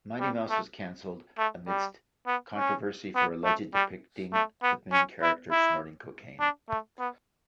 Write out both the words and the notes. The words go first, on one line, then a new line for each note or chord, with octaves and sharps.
"Mighty Mouse" was cancelled amidst controversy for allegedly depicting the main character snorting cocaine.
G3
A3
A3
G3
B3
C#4
B3
A3
G3
A3
B3
C#4
E4
E4
D4
A3
B3